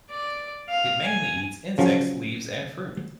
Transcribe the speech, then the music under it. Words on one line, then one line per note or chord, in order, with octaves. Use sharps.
It mainly eats insects, leaves, and fruit.
D5
F5
G#5
C#3 F3 F#3 C#4